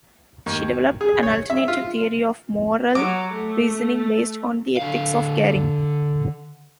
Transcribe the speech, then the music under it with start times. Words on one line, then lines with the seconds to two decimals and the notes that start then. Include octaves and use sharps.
She developed an alternative theory of moral reasoning based on the ethics of caring.
0.46 D#2
1.01 G#4
1.23 C#5
1.50 E5
1.68 F4
2.95 F#3 D6
3.33 A3
4.77 D3 F5